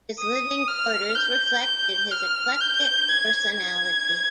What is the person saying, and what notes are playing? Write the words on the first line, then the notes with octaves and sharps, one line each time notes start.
His living quarters reflected his eclectic personality.
D#6
F6
G6
G6
F6
G6
G#6
G#6